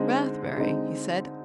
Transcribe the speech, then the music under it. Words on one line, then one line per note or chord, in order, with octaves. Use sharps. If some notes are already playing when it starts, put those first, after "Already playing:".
"Rathbury!" he said.
Already playing: D3 G#3 C4 D#4
D3 G#3 C4 D#4